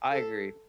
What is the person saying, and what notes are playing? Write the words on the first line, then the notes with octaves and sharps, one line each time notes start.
I agree.
A4